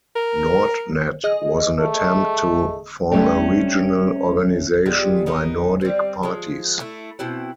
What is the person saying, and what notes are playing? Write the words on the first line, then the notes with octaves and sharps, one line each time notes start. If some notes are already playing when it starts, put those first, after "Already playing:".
NordNat was an attempt to form a regional organisation by Nordic parties.
A#4
G#4 D#5
A3
G3 A3 C4 C#4 A4 E5
G3 G#3 B3 F4
B3 D#4 A#4
G3 C4
F3 G#3
A3 E4
B2 C4 E4 F#5